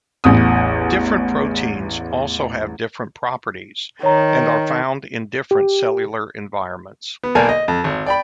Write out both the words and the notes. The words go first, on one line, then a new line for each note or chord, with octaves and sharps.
Different proteins also have different properties and are found in different cellular environments.
A1 E2 D#6
D#3 C#5 A#5
G4
B3
B1 A#3 A#4 D5 G#5 A5
D#5
F2
G#1
D5 G5 B5